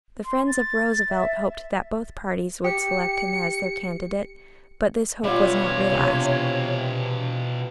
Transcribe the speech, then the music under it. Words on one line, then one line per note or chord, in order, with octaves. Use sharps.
The friends of Roosevelt hoped that both parties would select him as their candidate; but this hope was not realized.
C6
A6
E5
G4 C#7
B2 G3 F4 C#5 E5
C3